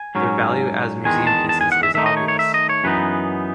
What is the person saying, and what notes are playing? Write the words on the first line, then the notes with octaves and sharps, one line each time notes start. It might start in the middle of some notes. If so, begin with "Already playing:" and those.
Their value as museum pieces is obvious.
Already playing: G#5
G#2 F#3 C#4
E2 D#3 G#3 G#5
A5
A5
G#5
F#5
E5
D#3 A3 D#4 E5
D#5
C#5
C#5
E5
D#5
C#5
F#2 E3 B3 D#4 B4